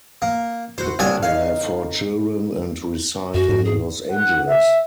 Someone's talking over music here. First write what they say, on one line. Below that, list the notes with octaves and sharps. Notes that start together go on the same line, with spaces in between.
The couple have four children and reside in Los Angeles.
A#3
E4 F#4 C5
C2 D4 F#4 C#5 G#5
D#4 C#5 D#5 F5
F#2 F#4
G#2
G#4
F#5
E5